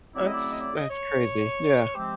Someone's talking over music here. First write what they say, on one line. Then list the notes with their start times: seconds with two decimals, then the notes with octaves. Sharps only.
That's that's crazy, yeah.
0.15 C#3 F#3 A3 C4 E4 D5
0.25 D#5
0.33 D5
0.52 D#5
0.60 D5
0.75 D#5
0.90 C#5
1.95 C3 F3 G#3 C4 G4